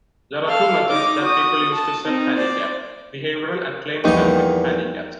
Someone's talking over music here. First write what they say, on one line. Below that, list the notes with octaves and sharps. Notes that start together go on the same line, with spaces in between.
There are two methods that people use to self-handicap: behavioral and claimed self-handicaps.
A4 F5
D#4 D6
F#4 D#6
A5
C4 D#4
C5 D5
A#1 E2 G3 A#3 D#4 C#6